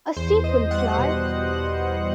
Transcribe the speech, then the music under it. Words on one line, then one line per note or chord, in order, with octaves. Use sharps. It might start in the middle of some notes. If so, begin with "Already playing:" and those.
A sequel, Fly!
E2 C5
E2 D#5
G3 F#5
B2
G3
B2
B2